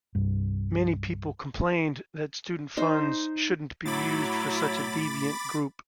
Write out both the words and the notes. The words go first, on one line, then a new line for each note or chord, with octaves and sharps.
Many people complained that student funds shouldn't be used for such a "deviant" group.
C2 G2
D#4 C5
A2 F#3 E4 B5 D6 A6